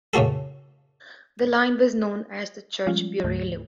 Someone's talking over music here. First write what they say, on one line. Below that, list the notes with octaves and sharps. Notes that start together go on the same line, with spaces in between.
The line was known as the Churchbury Loop.
A2 C#3 A#3 F#4 A4
F3 G3 G#3 C#4 F4
D2 G#2 D3 E3 A3